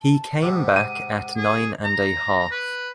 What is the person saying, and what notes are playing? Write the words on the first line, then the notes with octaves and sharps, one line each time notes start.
He came back at nine and a half.
A5
G#2 C3 F#5
D#7
G#4
A#5
B4